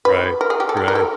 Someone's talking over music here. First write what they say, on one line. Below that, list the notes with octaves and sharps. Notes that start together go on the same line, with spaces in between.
Right, right.
B4
A#4
G#4
G4
A4
A#4
A#4
A4